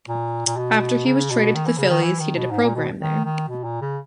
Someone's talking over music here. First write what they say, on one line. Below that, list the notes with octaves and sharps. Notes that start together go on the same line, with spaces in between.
After he was traded to the Phillies, he did a program there.
A#2
A#2
B2
C#3
B2
D#3
E3
C#3
D#3
E3
D#3
B2
G#2
A#2
B2
D#3
D#3
B2
A#2
C#3